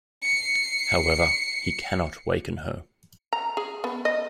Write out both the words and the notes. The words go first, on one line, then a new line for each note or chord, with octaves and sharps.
However, he cannot waken her.
C7 C#7
A#5
G#4
B3
D#5